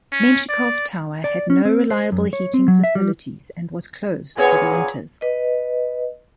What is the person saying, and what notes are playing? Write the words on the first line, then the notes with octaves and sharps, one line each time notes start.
Menshikov tower had no reliable heating facilities and was closed for the winters.
C#4
D5
D5
C#4
C4
C5
F#2
C#5
C4
F#3
E5
G3
A#2 B3 G#4 C#5
B4 D#5